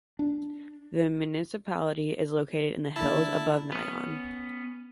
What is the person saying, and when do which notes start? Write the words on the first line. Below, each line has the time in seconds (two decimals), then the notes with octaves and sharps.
The municipality is located in the hills above Nyon.
0.19 D4
2.96 D3 A#3 E4 A5
3.72 B3 C#4